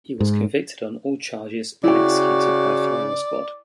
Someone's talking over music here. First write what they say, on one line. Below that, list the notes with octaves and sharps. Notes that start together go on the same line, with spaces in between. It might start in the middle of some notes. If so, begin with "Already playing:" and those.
He was convicted on all charges and executed by firing squad.
G#2
C#3 E4 F#4 D5 G5